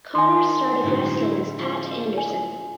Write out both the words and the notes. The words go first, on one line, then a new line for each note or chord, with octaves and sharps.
Connors started wrestling as Pat Anderson.
D#3 D4 G#5 C6
A2 D3 F#3 G#3 D#4 E4
E4
F3 D4
G#5